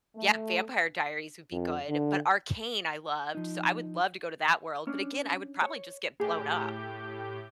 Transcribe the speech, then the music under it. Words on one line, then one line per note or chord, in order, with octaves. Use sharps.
yeah, Vampire Diaries would be good, but Arcane I loved, so I would love to go to that world but again, I would probably just get blown up.
A3
F2
D3
F3 D#4
C#4 D4
C#5
A2 G4 G#4 G6